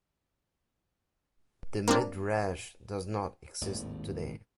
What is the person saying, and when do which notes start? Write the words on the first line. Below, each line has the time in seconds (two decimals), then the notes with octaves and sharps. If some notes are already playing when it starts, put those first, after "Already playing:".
The "midrash" does not exist today.
1.88 A#3 C4 D4
3.61 G#1 D#2 A2